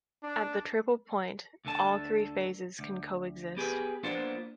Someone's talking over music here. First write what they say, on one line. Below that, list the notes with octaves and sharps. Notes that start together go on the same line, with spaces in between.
At the triple point, all three phases can coexist.
D4
D2 D3 A5
D2
B3 G4 G#4 B4
A#3 B3 D4 F4 C5